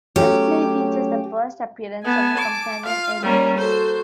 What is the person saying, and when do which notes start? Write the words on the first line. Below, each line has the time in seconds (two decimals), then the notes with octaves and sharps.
This play features the first appearance of the companion Erimem.
0.16 F#3 A3 C#4 G4
2.05 B3 G#5 A5
2.38 D6
2.86 F4 F5
3.23 G3 A#3 C#4 A#5
3.58 F#4 A4 C5